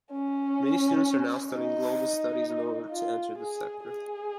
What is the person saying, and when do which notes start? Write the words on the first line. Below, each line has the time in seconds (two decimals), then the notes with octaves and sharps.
Many students are now studying global studies in order to enter this sector.
0.12 C#4
1.52 D#4
2.91 F4
3.38 G#4
3.85 G#4